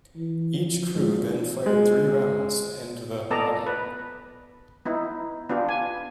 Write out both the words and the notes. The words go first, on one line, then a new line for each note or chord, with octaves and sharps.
Each crew then fired three rounds to end the "Run Out".
E3
F3
G#2
G#3
B3 A4 D5 D#5 A5 A#5
B4
B3 D#4 E4
B3 D4 F4 G4
G#5